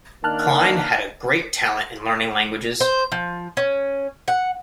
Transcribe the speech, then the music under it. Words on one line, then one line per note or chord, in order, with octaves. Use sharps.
Klein had a great talent in learning languages.
D#3 A#3 D4 A5 F6 F#6
C5
F3
C#4
F#5